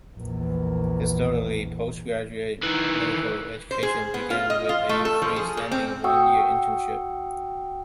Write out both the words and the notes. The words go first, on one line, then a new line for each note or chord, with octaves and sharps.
Historically, post-graduate medical education began with a free-standing, one-year internship.
A#1 E2
D#3 E3
C5
G#4
B3
F4
D#5
F4
A3
A4
F3
G#4
A#2
C4
F#4 F#5 G5 C#6 D#6 E6